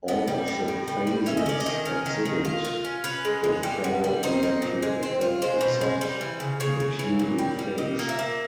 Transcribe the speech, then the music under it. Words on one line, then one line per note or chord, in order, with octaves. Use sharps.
All of the phases exhibit the ferroelectric effect except the cubic phase.
B3 D#5
G3
A2
A2
G3
G3
C#4 E5
D#5
C#4 D5
D#5
D#3
C#4 A#4
D#3
D#3
F4
F4
C#4
C#4 B4
G#3
G#3
G3
B3
G3
D#4 C5
D#4
A#2
G#3
C4
F4
G#3 C5
B2
G#3
G3
E3
C#3
C#3 C#5
C#3
E3
A#2
G3
G3
A#2 D#5
A#3
E5
A#3